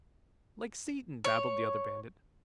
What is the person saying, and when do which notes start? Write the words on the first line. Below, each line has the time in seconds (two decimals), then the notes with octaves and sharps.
"Like Satan!" babbled the other bandit.
1.24 C#5